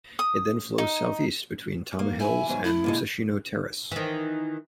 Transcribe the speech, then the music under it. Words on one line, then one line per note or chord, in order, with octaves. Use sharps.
It then flows southeast between Tama Hills and Musashino Terrace.
D#6
D#4
A#3
E4 G#5
E2 G#2 F#3
A3 E4
A#2 D3 G#3
D#3 E3